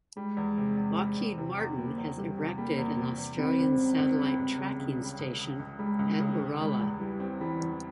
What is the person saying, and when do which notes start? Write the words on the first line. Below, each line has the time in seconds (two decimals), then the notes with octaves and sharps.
Lockheed Martin has erected an Australian satellite tracking station at Uralla.
0.17 G3 G#3
0.37 E2
0.58 C3
0.77 E2
0.97 G3
1.17 E2
1.38 C3
1.57 E2
1.77 G3 A#3
1.98 E2
2.18 C3 G3
2.38 E2
2.58 G3 A#3
2.78 E2
2.98 C3
3.18 E2
3.38 G3 C4
3.58 C#2
3.79 C#3
3.98 C#2
4.19 G3
4.39 C#2
4.58 C#3
4.80 C#2
4.99 G3
5.19 C#2
5.39 C#3
5.60 C#2
5.79 G3 G#3
5.99 C#2
6.20 C#3
6.39 C#2
6.60 G3 G#3
6.80 E2
7.00 E3 G3
7.20 C4
7.40 E3 G3
7.60 E2